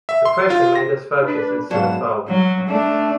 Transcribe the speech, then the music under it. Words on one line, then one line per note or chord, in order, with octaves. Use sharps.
The pressure made us focus instead of fold.
E5
C6
F4
A#6
D4 B4
G#2 F#3 B3 D5 F5 A5 E7
F#3
A3 D4